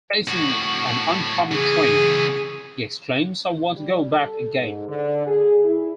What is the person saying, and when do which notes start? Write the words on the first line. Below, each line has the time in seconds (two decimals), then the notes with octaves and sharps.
Facing an oncoming train, he exclaims I want to go back again!
0.28 A2 F#4
1.52 C#3 E3 G#4
3.76 G3
4.13 A4
4.58 G#2
4.88 D3
5.26 G#4
5.64 E4